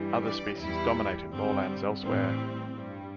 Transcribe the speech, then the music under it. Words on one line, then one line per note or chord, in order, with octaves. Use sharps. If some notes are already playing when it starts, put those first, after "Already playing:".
Other species dominate in moorlands elsewhere.
Already playing: G2 E3 G3
D5
E2 E3 G3 E4
G2 D3 G3 C4
A2 E3 G3 C4
G2 G3